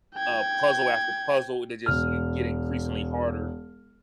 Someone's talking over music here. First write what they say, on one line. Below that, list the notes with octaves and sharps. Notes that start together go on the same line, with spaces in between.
a puzzle after puzzle, they just i get increasingly harder-
G5 G#6
E1 F6